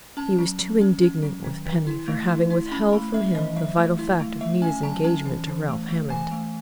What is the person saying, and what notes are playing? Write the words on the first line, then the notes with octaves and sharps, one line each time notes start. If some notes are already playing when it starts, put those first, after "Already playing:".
He was too indignant with Penny for having withheld from him the vital fact of Nita's engagement to Ralph Hammond....
C#4 A5
F#3
F#3
C#4
C#4
F#3
D#3
D#3
E4
A3
E4
E4
C#4 B5
A3 B5
C#4 E5
E3 D#5
F#3 E5
A3
E4
A3
A3 E5
C#4 G#5
F#3 A5
C#4 A5
E3
E3
A3
A3
E3 G#5
A3